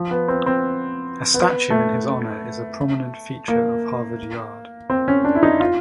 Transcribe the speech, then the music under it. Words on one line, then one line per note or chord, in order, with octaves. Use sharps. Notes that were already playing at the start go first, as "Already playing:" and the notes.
A statue in his honor is a prominent feature of Harvard Yard.
Already playing: F3
B3
C4
C4
B3
A3
A#3
C4
C#4
D4
E4
D#4
F4